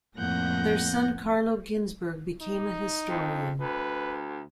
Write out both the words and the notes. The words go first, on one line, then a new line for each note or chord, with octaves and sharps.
Their son Carlo Ginzburg became a historian.
F2 A2 A#3 F#5 G6 A#6
D#4
F2
D2 B4